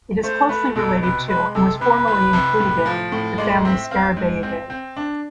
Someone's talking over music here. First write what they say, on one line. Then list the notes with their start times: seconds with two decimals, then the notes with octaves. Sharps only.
It is closely related to, and was formerly included in, the family Scarabaeidae.
0.23 A3 C5
0.49 A3 B4
0.76 B2 A4
1.02 C3 B4
1.28 G#3 B4
1.55 C3 A4
1.80 C3 B4
2.08 C2
2.33 C3
2.60 A2
2.86 F3
3.12 A2
3.38 G#3 D5
3.65 C4 E5
3.91 C4 F5
4.17 G#2
4.43 C4
4.70 C4
4.97 D4